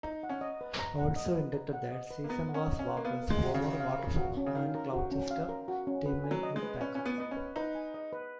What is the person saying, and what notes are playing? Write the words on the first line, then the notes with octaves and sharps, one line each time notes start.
Also inducted that season was Walker's former Watford and Colchester teammate Mick Packer.
D#4 A#5
F#5
C#4
D#5
B4
A#5
F#5
D#5
B4
A#5
F#5
D#5
B4
A#3
B3 A#5
F#5
C#4
D#5
C#4
B4
A#3
B3 F5
A#4
G#3
F#4
C#3
C#4
F5
A#4
F#4
C#4
C#3
D#3 F5
A#4
F#4
C#4
F5
A#4
F#4
C#4
B4
G#5
F#3
D#5
G#3
B4
C#4 B4
C#4 G#5
B3
B3 D#5
C#4
B4
D#4 B4
G#5
D#5
B4